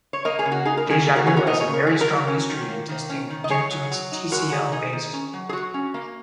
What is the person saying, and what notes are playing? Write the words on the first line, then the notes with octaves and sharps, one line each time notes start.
DejaGnu has a very strong history in testing due to its Tcl base.
C#5
A#3 A#4 D#5
G#4 C#5
C#3
F#4
D#4 G#4
A#4
C#3 G#4
A#3 G#4
F#4 A#4
C#3 G#4 C#5
F#4 A#4
D#4 A#4 D#5
G#4 C#5
C#3
A#4
F#3 G#4
F#4 A#4
D#3
C#4
D#3
A#3
D#3
C#4
D#3
D#5
D#4 G#4 C#5
F#3
F#3
D#4
G#3 F#4 A#4
D#3 G#4
D#4 G#4
D#3
C#4
F#3
G#4
F#3 F#4
C#4
A#3